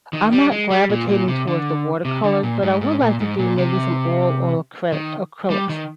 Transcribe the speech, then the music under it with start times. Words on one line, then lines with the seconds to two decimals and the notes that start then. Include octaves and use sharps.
I'm not gravitating towards the watercolors, but I would like to do maybe some oil or acrylic acrylics.
0.13 D#3
0.32 G3
0.51 G#3
0.70 G3
0.90 A#2
1.09 A#2
1.28 C3
1.48 D3
2.05 C3
2.24 D3
2.43 A#2
2.63 G#2
2.81 G#2
3.01 A#2
3.20 G#2
3.39 A#2
3.58 C3
4.92 D#3
5.50 G3
5.69 D#3